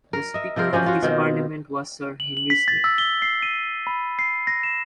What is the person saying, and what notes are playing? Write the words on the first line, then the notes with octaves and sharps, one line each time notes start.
The Speaker of this parliament was Sir Henry Smith.
A#4
D#5 E5
C3 F3 C4 A#4
F3 C#4 F#4 G4
F4 F#4
B2 D#3 C4
F#7
F#7
B6
A6
E6
G7
C7
D#7
B5
C7
A#6
E7